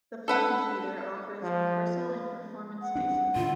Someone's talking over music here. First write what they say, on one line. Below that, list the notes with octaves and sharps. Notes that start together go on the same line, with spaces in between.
The Fleming Theatre offers rehearsal and performance spaces.
A4 B4 F#5
F3
F#5
G3 C4 D4
A2 D3 E4 F4